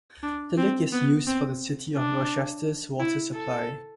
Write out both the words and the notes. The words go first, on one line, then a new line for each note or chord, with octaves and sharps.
The lake is used for the City of Rochester's water supply.
D4
C4
B3
C4
D4
E4
A4